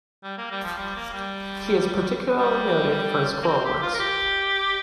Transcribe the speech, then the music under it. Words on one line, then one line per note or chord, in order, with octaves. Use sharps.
He is particularly noted for his choral works.
G3
A#3
G3
F3
G3
A#3
G3
G3
A#3
C4
G4
F4
A#4
G4